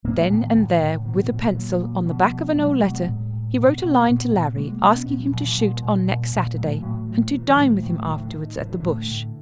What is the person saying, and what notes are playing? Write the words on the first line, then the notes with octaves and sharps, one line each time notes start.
Then and there, with a pencil, on the back of an old letter, he wrote a line to Larry asking him to shoot on next Saturday and to dine with him afterwards at the Bush.
A2 A#3 C4
G#3 A#3
A2 A3 B3
D#3 F3
A2 D3 E3
A2
B2 D#3 F3
D#3
B2 E3
F3
A#2 E3 F#3
A#2
B2 F3 G3
B2
B2 F#3 G#3
B2
A2
A2
B2
B2
A#2
A#2
B2 G#3 A#3
G#3 A#3
B2
B3 C#4
A#2 B3 C#4
F3 G3
A#2 E3 F#3
E3 F#3
A#2 F3 G3
A#2
A#2
A#2
A2 F#3
F3
A2 E3 F#3
A#2 F#3
F3
A#2 E3
D#3 F3
A2
A2
F#3
A2 D#3 F3
D3 E3
A2 D#3
A2 F3
E3
D#3
A2 D3 E3
A2